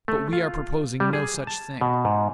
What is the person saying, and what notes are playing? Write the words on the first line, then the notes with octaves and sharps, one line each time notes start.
But we are proposing no such thing.
A3
F4
G3
G#4
A5
B2
G#2